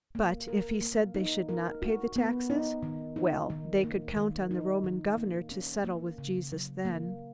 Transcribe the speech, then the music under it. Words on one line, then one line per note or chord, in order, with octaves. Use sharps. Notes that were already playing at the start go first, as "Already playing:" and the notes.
But if he said they should not pay the taxes--well, they could count on the Roman governor to settle with Jesus then.
A#3
A#4
A#3
D#4
A#4
F#4
B3
D#4
D#3
D#4
D#3
A#3
D#3
D#4
D#3
A#3
C#4
A#3
C#3
F#3
A#3